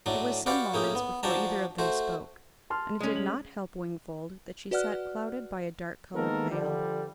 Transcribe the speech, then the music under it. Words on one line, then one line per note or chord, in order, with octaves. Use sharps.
It was some moments before either of them spoke, and it did not help Wingfold that she sat clouded by a dark-coloured veil.
A2 F#3 A3 D4
F#4 G4 B4 D5 F5 F#5
A2 A#3 C#4 G4 G#4
B3
F3 D4 F#4 G4 A5 A#5
A3 F#4 C5
A5 C6 F6
G#3 C#4
F#7
F#4 B4 D5 F#5 F6 F#6
D#3 G#3 A#3 B3 A4 A#4
D3 F3 G3